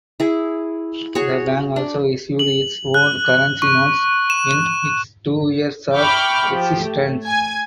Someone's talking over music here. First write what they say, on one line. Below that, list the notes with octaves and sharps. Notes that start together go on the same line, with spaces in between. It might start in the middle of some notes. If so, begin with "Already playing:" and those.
The bank also issued its own currency notes in its two years of existence.
E4 G#4
F#4 G#4 C#5
D4
F#7
F#6
C#6
E7
E5 G5 B5 C#6 D6 F6
F3 G4
A3
G#5 G#6